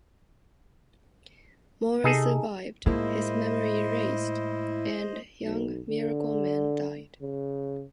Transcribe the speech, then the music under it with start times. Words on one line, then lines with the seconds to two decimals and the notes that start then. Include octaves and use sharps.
Moran survived, his memory erased, and Young Miracleman died.
2.04 C3 D#4 G#4 A4
2.86 A2 G#3 A#3 E4 F4 C5 D#5
5.43 B1
5.89 D3
7.22 C#3